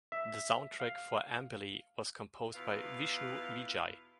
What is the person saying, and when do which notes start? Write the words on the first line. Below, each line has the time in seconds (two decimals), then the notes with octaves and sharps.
The soundtrack for Ambili was composed by Vishnu Vijay.
0.12 E5
0.80 F5
2.54 E2 B2 E4 F4 B4 F5